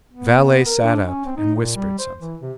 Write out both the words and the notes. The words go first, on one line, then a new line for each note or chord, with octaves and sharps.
The valet sat up and whispered something.
B3
A#4
D4
C#4
C4
D#4
A#2
G3
C5
E3
C3